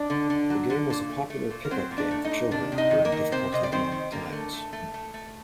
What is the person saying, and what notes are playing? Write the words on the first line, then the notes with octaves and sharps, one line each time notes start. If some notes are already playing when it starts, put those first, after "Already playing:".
The game was a popular pick-up game for children during difficult economic times.
Already playing: D4 D5
D3
D3
F#3
D3
A#2
A3
A3
A#2
A#4
F#3 C4 C5
A#2
D4 D5
A3
D#4 D#5
A#2
C3 D4 D5
C3
D#4 D#5
D#3
A#3 A#4
D#3
C3 C4 C5
C3 D#5
D5
D#3 C4 C5
D#3
D3 A#3 A#4
A3
A3
A3
A3
A3